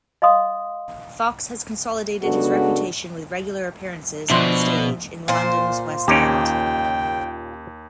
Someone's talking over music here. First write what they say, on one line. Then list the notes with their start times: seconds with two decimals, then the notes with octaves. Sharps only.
Fox has consolidated his reputation with regular appearances on stage in London's West End.
0.22 D#5 F5 C6 D#6
2.23 C#3 G#3 B3 D4 F#4 A4
4.30 B2 F3 D4 C5 E5
5.28 A#2 C5
6.08 D#2 C#4 D#4 G4 G5